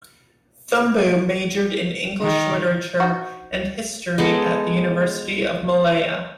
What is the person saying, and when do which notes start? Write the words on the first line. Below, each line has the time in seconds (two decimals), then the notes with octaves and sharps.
Thumboo majored in English literature and history at the University of Malaya.
2.22 D#3
3.00 D#4 F#4
4.18 G#3 B3 D#4 A4